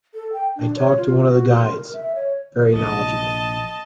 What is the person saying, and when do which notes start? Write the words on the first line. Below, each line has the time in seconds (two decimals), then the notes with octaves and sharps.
I talked to one of the guides – very knowledgeable.
0.14 A4
0.33 G5
0.56 D4
0.76 C#5
0.98 F4
1.24 F#4
1.55 C6
1.68 A#4
1.93 E5
2.15 C#5
2.75 A#1 C3 D#5 A5